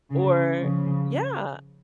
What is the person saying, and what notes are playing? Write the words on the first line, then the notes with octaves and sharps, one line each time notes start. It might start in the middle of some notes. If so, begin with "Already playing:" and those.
or Yeah,
C#3
C#3 F3